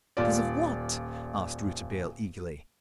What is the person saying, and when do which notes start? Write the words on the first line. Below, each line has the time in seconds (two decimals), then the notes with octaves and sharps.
"Because of what?" asked Rouletabille eagerly.
0.17 D#1 F4 D5